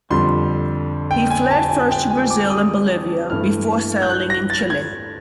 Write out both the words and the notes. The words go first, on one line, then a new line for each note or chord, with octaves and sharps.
He fled first to Brazil and Bolivia, before settling in Chile.
F2 D3 G3 C6
G5
G#5
A5
G#5
G5
G#5
D6
D#6
G2 E3 A3 F6
G6
F#6
A#6
A6
G#6